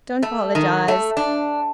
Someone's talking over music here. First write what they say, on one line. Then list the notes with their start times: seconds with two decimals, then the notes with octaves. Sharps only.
Don't apologise!
0.23 A3
0.55 D#3
0.88 A3
1.17 D4